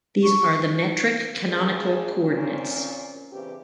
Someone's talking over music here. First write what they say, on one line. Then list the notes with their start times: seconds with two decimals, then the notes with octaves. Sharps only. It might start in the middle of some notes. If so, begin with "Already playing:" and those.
These are the metric canonical coordinates.
0.23 C#6
1.48 G2 C#4 G#4
2.19 F2 A#2 C4 C#4
3.32 G2 A#2 C#3 E3 C4 G4